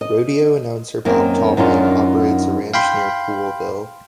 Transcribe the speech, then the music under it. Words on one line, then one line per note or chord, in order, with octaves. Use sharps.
Rodeo announcer Bob Tallman operates a ranch near Poolville.
D#5
F#2 D#3 A#3 C4 C#4
F#2 D#3 C#4 D4 F4
F5 G5 B5 C6